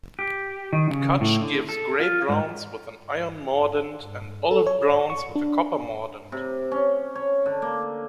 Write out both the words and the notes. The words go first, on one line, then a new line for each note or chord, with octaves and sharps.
Cutch gives gray-browns with an iron mordant and olive-browns with a copper mordant.
G4
D#3
C#3
A2
D3
A4
F4
G#2
A4
C#5
C#6
D4
C3
C#4
C#5
D3
A#3